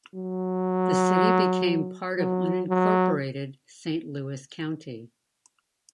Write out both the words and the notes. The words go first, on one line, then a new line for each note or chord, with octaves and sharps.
The city became part of unincorporated Saint Louis County.
F#3
F#3
F#3